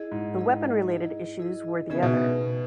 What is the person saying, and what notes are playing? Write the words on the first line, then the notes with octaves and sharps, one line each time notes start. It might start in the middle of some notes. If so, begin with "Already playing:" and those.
The weapon-related issues were the other.
Already playing: E4 G#4 D#5
G#2
E4 G#4 D#5
E4 G#4 D#5
E4 G#4 D#5
C#3 B3 D#4 G#4 B4 E5
B2